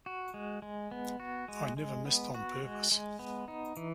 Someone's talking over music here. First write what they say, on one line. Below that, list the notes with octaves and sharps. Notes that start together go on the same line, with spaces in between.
I never missed on purpose.
F#4
G#3
G#3
B3
F#4
G#3
G#3
B3
F#4
G#3
G#3
B3
D#4
E3